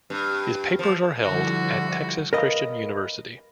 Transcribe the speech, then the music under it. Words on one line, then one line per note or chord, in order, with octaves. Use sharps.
His papers are held at Texas Christian University.
G2
F3
D3 F3 G3 E4 F#4
A#4 B4 D#5 F5